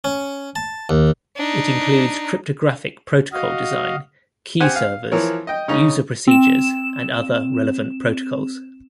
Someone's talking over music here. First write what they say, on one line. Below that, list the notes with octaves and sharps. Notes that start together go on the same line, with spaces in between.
It includes cryptographic protocol design, key servers, user procedures, and other relevant protocols.
C#4
A5
D#2
D4 D#4
F#4 D#5 F5
C4 G4 C5 F#5 G#5
F5
E3 F3 A#4 C#5
D#5 G5
C#3 C#4 D#4
C4 E7